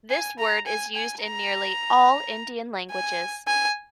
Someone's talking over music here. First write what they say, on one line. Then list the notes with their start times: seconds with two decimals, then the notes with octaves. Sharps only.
This word is used in nearly all Indian languages.
0.11 G#5
0.39 A#5
0.67 G#5
0.96 G#5
1.23 A#5
2.91 G#5
3.48 G#5